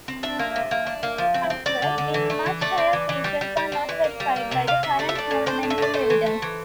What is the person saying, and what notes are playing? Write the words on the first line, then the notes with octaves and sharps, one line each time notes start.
However, these much higher figures are not verified by the current monumental evidence.
C4
D4 E5
A#3
C3
A#3
D4
A#3
F3
C4
C4
C4 D5
D3
D3
E3
A3
E3
A3 D5
C4
E3
E3
G3
G3
G3
C4
E3
A#3
G3
A#3
C3 E5
C3 F5
C3 E5
A3 D5
E5
D4 D5
A2
D4 C5
A2
E5
A2 D5
A3 C5
E3
A3
E3